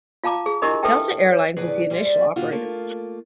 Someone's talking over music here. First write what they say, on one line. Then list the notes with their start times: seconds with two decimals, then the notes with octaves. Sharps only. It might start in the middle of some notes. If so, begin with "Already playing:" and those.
Delta Air Lines was the initial operator.
0.24 F4 F5 A5 A#5 D6
0.46 G#4
0.62 D4 E4 G4 A#4 D#5 B5
0.83 A4 B4 E5 G5 A5
1.32 C#5
1.57 E2 A2 C#3 G#4 B4 D5
1.90 D#2 G3 G#4 C5 D5 E5
2.36 D2 A#2 D3 G3 F4 F#4
2.51 A3 A#3 F4